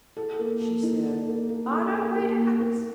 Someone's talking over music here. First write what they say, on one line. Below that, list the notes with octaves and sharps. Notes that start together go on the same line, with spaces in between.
She said, 'On our way to Aklis.'
A4
A#3
A4
D#4
A4
A#3
A#3
A4
A#3
A#3
A#3
A#3